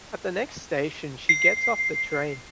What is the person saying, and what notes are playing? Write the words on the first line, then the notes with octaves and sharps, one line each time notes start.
At the next station, she gets off the train.
C7